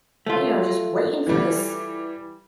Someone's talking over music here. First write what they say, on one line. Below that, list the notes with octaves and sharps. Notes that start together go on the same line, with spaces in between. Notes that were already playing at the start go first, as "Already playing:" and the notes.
you know, just waiting for this
A3 F4
E3 G3